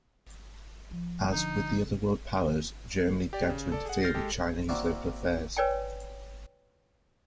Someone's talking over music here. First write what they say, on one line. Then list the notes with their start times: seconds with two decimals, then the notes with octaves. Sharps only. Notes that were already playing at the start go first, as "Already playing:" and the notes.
As with the other world powers, Germany began to interfere in Chinese local affairs.
0.91 F3
1.31 D3 F3 D#4
3.33 G4 D5
3.49 C#3
3.72 A4 D5
3.85 G#4 F#5
4.02 F6 G6 A6 A#6 C7
4.14 G#3 G4 A4
4.69 A#3 C4 E4 F#4 D5 F5
5.57 B4 C#5 D5 G5 G#5